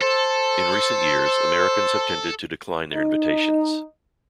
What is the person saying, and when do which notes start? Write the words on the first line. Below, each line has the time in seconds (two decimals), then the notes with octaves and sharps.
In recent years, Americans have tended to decline their invitations.
0.01 A4 C5
2.93 D#4